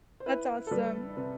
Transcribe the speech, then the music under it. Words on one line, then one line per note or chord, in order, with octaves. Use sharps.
That's awesome.
C5
E4 B4
A4
G3 B4
C3 B4